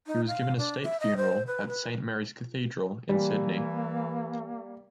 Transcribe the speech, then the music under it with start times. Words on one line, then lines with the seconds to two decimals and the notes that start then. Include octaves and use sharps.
He was given a state funeral at Saint Mary's Cathedral in Sydney.
0.07 D#4
0.27 F5
0.57 D4
0.85 E5
1.00 D#5
1.17 C5
1.47 B4
1.68 B4
3.09 E3 G3 A#3